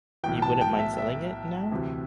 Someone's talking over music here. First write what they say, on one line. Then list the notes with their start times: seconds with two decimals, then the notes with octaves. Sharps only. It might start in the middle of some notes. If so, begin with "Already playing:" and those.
You wouldn’t mind selling it, now?
0.23 B1 A2 E3 G5
0.42 A5
0.61 G5
0.79 E5
0.98 E5
1.71 D2 C3 E3